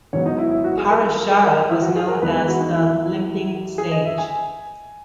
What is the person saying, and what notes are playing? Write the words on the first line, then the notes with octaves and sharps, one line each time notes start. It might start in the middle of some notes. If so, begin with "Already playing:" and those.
Parashara was known as the "limping sage".
G#2 D#3 F#3 B3 C#5
D#4
E4
E4
F#4
G#4
A#4
A#4
A#4
G#4
A#4
E4
F#4
G#4
A#4
E2 D#3 G#3 B3 B4
B4
F#4
D#4
E4
G#4
D#5
E5
G#5